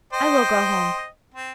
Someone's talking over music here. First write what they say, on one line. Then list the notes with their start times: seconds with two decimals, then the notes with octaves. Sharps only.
"I will go home."
0.13 C5 D#5 G5
1.34 C4